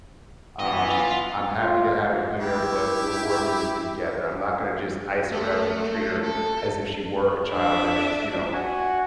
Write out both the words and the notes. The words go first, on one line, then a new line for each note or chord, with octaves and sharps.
Um, I'm happy to have her here, but, we're working together I'm not gonna just ice her out and treat her as if she were a child and it's, you know,
E3 B3 D#5
F4
F4
E4 G4
A3
A4
D4 E5
F#4 F#5 G#5